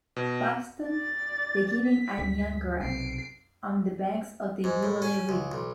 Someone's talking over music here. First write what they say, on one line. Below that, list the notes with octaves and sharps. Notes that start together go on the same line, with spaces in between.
Buxton, beginning at Niangara on the banks of the Uele River.
B2
D5 A6
B6
D2 G2 G#3
B1 C3 C4 C7 D7
G#2
A2
C#4
C#2
B1